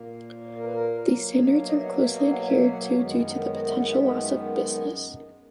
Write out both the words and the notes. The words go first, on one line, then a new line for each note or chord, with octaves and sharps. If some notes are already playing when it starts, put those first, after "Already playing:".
These standards are closely adhered to due to the potential loss of business.
Already playing: A#2 A#3
A#4
B4
A#4
B2 F#3 A#3
C#5
D#5
E5
F#5
E5
D#5
F#5
E5
E5
F#5
E5
F#2 D#3 G#3 B3 C#5
B4
A#4
C#5
D#5
E5
F#5
E5
E5
E5